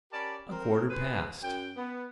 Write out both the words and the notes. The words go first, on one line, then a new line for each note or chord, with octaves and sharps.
A quarter past.
C#4 G4 A#4 D5 A5 B5
C4 A#4
G#4 B4 C5
F#2 G5
B3